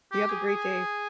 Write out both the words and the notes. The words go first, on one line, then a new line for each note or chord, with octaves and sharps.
You have a great day.
G4
G#4
G#4